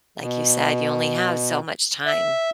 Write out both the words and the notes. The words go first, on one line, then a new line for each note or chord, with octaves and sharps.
like you said, you only have so much time.
B2
E5